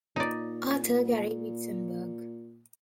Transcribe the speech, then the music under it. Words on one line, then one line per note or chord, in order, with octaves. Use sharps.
Author Gary Witzenburg.
A#2 D#4 D5